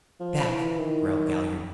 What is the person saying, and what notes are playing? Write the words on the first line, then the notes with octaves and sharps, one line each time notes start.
"Back!" growled Galliard.
F3
E3
D#3